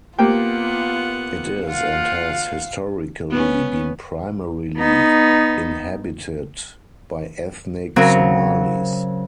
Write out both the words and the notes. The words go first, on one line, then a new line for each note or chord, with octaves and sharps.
It is and has historically been primarily inhabited by ethnic Somalis.
A#3 B3 F4 G4 F#5 G5
F4 F5 F#5
B3 C#4
B3 D#4
C#3 F#3 C4 F#4 A#4